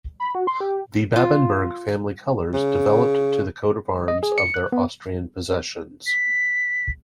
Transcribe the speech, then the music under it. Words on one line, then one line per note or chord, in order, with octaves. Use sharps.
The Babenberg family colors developed to the coat of arms of their Austrian possessions.
B5
F#4
C6
G4
F4
C#3
D#5
G#4
C#7
F#6
B3
B6